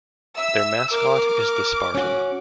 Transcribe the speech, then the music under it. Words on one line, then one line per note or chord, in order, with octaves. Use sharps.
Their mascot is the Spartan.
E5 E6
A#4 D6
C#4 F#4